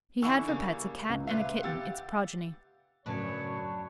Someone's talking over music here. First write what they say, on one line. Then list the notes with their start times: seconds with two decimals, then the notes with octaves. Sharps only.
He had for pets a Cat and a kitten, its progeny.
0.22 D3 E3 E4 G#5 C#6 E6
0.48 C#3 G3 A#3
1.09 C#2
1.27 A#2 B4 E5 F5
1.63 G4 F5 F#5 E6 A6
3.06 F#2 A2 C#3 D4 B4 C#5